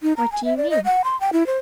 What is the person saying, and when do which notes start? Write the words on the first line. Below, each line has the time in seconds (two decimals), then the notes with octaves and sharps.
What do you mean?
0.03 D#4
0.17 A#5
0.32 G#5
0.45 E5
0.57 D5
0.70 D#5
0.85 F#5
1.04 C6
1.21 G5
1.33 E4
1.47 C5